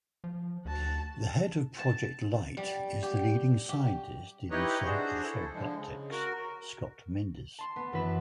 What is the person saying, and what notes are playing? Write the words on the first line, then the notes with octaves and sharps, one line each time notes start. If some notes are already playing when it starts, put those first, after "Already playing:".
The head of Project Light is the leading scientist in sub-etheric optics, Scott Mindes.
F3
D2 F#4 A5
A5
G3
G4
G4
D#4 E4 G4 B4 C#5 D#5
D4 F#4 G#4 C5
E4 A4
D3 F3 G#3
C#3
F#4 A#4
A5 C6
B3
F#2 E3 B3 B4 E7